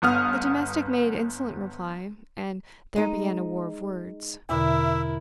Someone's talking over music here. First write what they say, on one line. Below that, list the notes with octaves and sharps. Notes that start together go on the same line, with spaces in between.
The domestic made insolent reply, and there began a war of words.
G1 B3 D#6 F6
G#3 D#4
E2 B2 D3 E4 A#4 E5